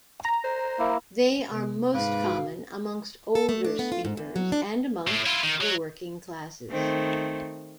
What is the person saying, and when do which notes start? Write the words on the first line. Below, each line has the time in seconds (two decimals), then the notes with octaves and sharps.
They are most common amongst older speakers and amongst the working classes.
0.25 A#5
0.44 C5
0.79 A#3 E4
1.51 C3 B3
1.94 G#2 B4 F5 D6
2.24 F#4
3.35 A4
3.49 A3
3.64 D4
3.79 B3
3.92 F4
4.05 G#2
4.17 E2
4.36 F#3
4.52 D4
5.07 A2
5.26 E4 F4
5.43 D#3
5.61 F#3
6.70 D#3 A3 C4